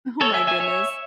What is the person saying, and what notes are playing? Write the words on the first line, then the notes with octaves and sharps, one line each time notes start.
Oh my goodness.
A4 C#5
E5 G#5
E5 G#5
C#5 E5